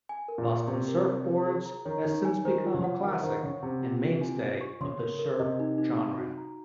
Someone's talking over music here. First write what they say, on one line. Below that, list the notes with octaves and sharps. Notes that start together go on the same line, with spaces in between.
"Bustin' Surfboards" has since become a classic and mainstay of the surf genre.
G#5
A#4
A#2
C#6
C3 C6
A#4
A#4
F5
G#4
A#5
D#3 C#5
D#3 D#4
G#5
D#3 C5
F4
C#3
F#5
D#3 F#5
D#3 C5
C#3 C#6
C3 F#5
F4
F4
G#5
C5
C#6
C#3 C6
A#4
A#4
C3 D#5
D#4
D#4
F5
F#4
A#5